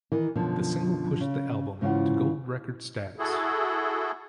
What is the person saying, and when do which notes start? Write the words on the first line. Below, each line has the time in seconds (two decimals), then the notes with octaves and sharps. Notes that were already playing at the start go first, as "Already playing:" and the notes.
The single pushed the album to gold-record status.
0.12 D#3 E3 A#4
0.35 F#2 B2 D3 F3
1.20 C#3
1.81 G#2 C#3 E3 F4 F#5
3.19 E4 F#4 G#4 A4